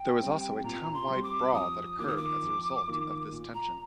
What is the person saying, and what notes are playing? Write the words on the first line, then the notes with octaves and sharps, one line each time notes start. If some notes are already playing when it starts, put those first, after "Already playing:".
There was also a town-wide brawl that occurred as a result of this tension.
Already playing: G5
G3 C4
A#2 A#5
C6
G3 C4
D6
F2 D#6
D#3 A#3 F4 D6
D#6
D6
F2
D#3 A#3 F4
A#2
A#5